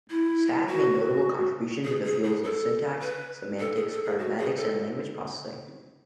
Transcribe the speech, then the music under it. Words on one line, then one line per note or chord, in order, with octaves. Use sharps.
Sag made notable contributions to the fields of syntax, semantics, pragmatics, and language processing.
E4
F#4
G#4
G#4
G#4
A4
B4
A4
G#4
A4
G#4
F#4
G#4
A4